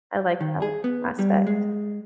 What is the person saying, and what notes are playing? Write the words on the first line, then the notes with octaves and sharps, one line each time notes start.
I like that aspect.
D#3
G#4
B3
G3
G#3